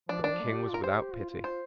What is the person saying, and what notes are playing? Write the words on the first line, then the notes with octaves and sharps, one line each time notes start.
But the King was without pity.
F3 D4
D#3 D4
F3
A#3
G#3
G4
F4 A#4
G4 C5
F4
F4
F4 C5